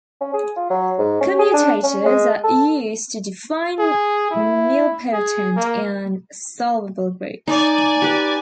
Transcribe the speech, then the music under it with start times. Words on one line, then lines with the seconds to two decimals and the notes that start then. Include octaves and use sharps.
Commutators are used to define nilpotent and solvable groups.
0.21 C#4
0.33 G#4
0.57 F4
0.70 F#3
0.98 G#2
1.21 C#4
1.39 G#4
1.54 D4
1.83 C#4
2.06 G#3
2.44 A4
3.79 G#4
4.31 E4
5.13 G#4
5.57 A#3
7.48 D#4 D5 G#5
8.02 G4 B4